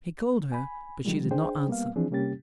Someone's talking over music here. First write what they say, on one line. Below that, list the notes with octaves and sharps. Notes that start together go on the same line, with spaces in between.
He called her, but she did not answer.
G#5 B5
D3 D#3 F3 G3 G#3
D4 G#4 C5 G5
G3 A#3 B3 F5
E3 F3 C4 D4 G#4
C3 G3 A#3 C#4 G4 A6